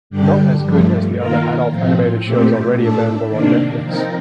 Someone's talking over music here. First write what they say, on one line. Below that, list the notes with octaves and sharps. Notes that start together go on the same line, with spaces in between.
Not as good as the other adult animated shows already available on Netflix.
G2 D3 G3 D4 G4
G2 F3 A3
D#3 A#3 F4 A#4
A2 F3 C4
A#2 A3 C4 G4
A2 A3 D4 A4
C3 D#3 A#3 D4
F3 C4 D#4 A#4